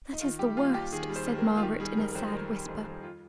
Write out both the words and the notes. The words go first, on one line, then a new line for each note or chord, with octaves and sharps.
'That is the worst,' said Margaret, in a sad whisper.
D#4
D#3 F4
G3 G4
D#2 F4
D#2 G4
D#3 G#4
G3
C5
D#2
A#4
D#2
F4
D#3 G4
G3 G#4
F2 A#4
A#4
F2 C5
D#3 A#4
G3
F2
F2
F4